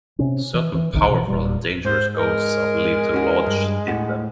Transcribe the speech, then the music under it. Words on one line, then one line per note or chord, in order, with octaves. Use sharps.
Certain powerful and dangerous ghosts are believed to lodge in them.
C3 C#4
E3
E3
F#1 C2 A2 D#3
B2 E3
E1 A#2 G3
G#2 C5
G#3 A#4
C#4 F#4
G2
A2 F#5